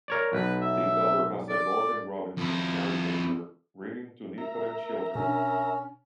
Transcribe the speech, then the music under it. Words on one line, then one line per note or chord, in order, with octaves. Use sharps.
The cover has a Gordon Robinson caricature reading to different children.
A#4 C#5 D5
B1 B4
E5
D5
F2 E4
A#4 E5 A#5
B2 C#4 D4